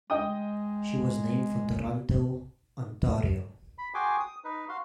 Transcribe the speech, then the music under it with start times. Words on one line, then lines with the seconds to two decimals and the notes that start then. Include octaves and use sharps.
She was named for Toronto, Ontario.
0.10 G#3 D#5 G5 D#6
3.78 B5
3.94 F#4 G#4 G5 G#5 C6 D6
4.20 D#6
4.44 D#4 B4
4.69 F#4 F5 C6